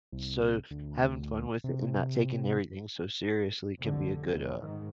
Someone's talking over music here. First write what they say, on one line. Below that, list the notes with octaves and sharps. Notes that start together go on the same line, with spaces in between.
so having fun with it and not taking everything so seriously can be a good, uh,
C2
D2
C3
F1 C2 D3
D#2
G#2 D#3